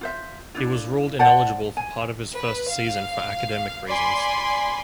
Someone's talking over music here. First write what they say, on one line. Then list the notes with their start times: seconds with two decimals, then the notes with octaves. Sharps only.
He was ruled ineligible for part of his first season for academic reasons.
0.01 F4 C5 E5
0.55 D4 E4 F4
1.19 C5 D5 F#5 A5
1.77 G#5
2.36 B4
2.69 F5
3.89 D5 G#5 B5 C6